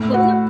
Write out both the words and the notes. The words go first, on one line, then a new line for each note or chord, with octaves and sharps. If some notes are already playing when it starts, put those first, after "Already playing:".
What was that?
Already playing: A2
F#4